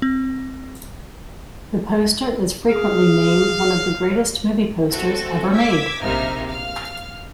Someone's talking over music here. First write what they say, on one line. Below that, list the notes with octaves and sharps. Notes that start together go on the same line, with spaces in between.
The poster is frequently named one of the greatest movie posters ever made.
C4
G#4 F5
A3 C4 F#4 A4
D6 E6 G#6 B6
A#1 C3 A#3 D#4 E5 F6
F5 F6